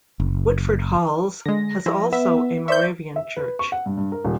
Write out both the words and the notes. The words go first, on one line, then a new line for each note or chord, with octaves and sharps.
Woodford Halse has also a Moravian Church.
F#1
D3 G#3 A#6
E3 F3 E4
B3 E5
C5 D5 E5 C#6 G6
E5
B4
C#6
F#5
G2
G2
A#4
D#1